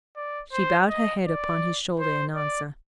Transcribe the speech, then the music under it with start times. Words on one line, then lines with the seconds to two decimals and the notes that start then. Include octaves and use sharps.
She bowed her head upon his shoulder in answer.
0.16 D5
0.53 C5
0.88 D#5
1.26 D5
2.00 C5
2.35 D5